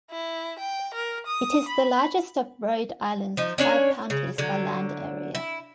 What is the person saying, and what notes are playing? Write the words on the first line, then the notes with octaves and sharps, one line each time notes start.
It is the largest of Rhode Island's five counties by land area.
E4
G5
A#4
D#6
B5
F3 D#4
C#4 D4 C#5 G#5
C#3
D3 F#3
E4